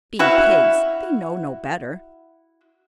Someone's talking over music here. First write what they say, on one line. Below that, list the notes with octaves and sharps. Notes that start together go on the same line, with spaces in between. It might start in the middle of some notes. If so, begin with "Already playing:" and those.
Being pigs they know no better.
E4 F#4 E5 F5